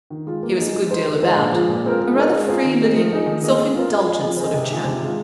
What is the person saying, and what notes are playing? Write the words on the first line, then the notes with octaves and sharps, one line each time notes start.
He was a good deal about--a rather free-living, self-indulgent sort of chap.
D#3
G#3 F4
A#3
D#4 G#4
G#3
D#4 C5 D#5
D#3
G#3 F4 C5 D#5
A#2
F3 G#3 F4
A#2
G#3 C4 F4 A#4
G#3
D#4 A#4 D#5
G#3
C4 F4 G#4
D#3
G#3 D#4
F3
G#3 D#4 G#4
D#3
A#3 G#4 D#5
G#3
F4 A#4
G#3
F4 G#4 D#5
F3
C4 G#4 D#5
C3
D#3 G#3 F4 G#4
C3
D#3 G#3 F4